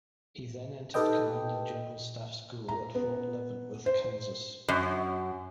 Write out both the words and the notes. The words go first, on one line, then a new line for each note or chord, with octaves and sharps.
He then entered Command and General Staff School at Fort Leavenworth, Kansas.
D#4 G4 A4 B4 D#5 G5
A#5
B3
C5
F#2